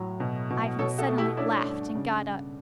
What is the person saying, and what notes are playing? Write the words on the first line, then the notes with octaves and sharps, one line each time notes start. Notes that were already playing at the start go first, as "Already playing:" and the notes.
Ivan suddenly laughed and got up.
Already playing: A2 F#3
B2
B2
B2 A4 C#5
F#4 A4
A3
E4 G4
C#4 D4 E4
G2
C#3